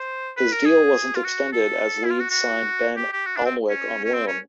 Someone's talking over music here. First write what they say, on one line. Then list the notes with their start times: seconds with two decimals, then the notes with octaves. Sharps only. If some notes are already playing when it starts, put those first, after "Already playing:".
His deal wasn't extended as Leeds signed Ben Alnwick on loan.
Already playing: C5
0.37 B4
0.52 A#4
0.66 G#4
1.15 F4
1.24 F#4
1.52 A4
2.05 E4
2.10 F4
2.19 F#4
2.30 F#4
2.97 G4
3.12 G4
3.26 F#4
3.36 D4
3.46 C4
3.70 C#4
4.04 C#4
4.14 C4
4.27 C#4